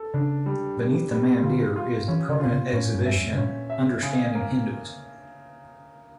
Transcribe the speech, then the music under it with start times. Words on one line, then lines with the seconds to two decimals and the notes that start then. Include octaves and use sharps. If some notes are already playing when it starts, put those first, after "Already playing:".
Beneath the Mandir is the permanent exhibition 'Understanding Hinduism'.
Already playing: A4
0.14 C#3 D4
0.46 G3
0.79 G3
1.11 G3
1.43 D3 F4
1.76 F4
2.08 E3 C#4
2.29 C#3
2.40 F4
2.46 A#2
2.51 C#3
2.73 A2 C#4
2.95 G2
3.05 G2 E5
3.16 F2
3.32 C#3
3.38 A#2 C#4
3.70 E5
4.03 C#3
4.35 A#3